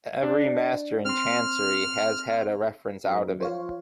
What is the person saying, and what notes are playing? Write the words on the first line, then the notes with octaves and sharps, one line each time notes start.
Every master in Chancery has had a reference out of it.
D4
C4 C6 F6
F#2
F3 C5 C#5 F5